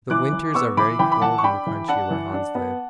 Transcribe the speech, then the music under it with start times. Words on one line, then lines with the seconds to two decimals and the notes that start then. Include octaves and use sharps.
The winters are very cold in the country where Hans lived.
0.10 E3 D6 F#6
0.33 E3
0.54 B3 C#6 E6
0.77 E3 B5 D6
0.99 E3 G5 B5
1.12 B5
1.22 E3 F#5 A5
1.38 C#6
1.44 D4 G5 B5
1.67 E3
1.88 D4 F#5 A5
2.11 E3
2.34 D4
2.55 B3